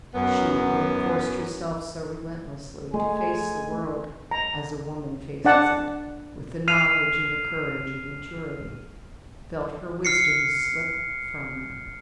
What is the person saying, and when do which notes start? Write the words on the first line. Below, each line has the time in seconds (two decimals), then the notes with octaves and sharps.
She, who had forced herself so relentlessly to face the world as a woman faces it, with the knowledge and the courage of maturity, felt her wisdom slip from her.
0.15 F#2 B3
2.94 G#3 A3 G#5
4.31 A#5
5.45 D4 D5 F#5 A5
6.68 F6 C7 D#7 F7
10.05 F6 C7 C#7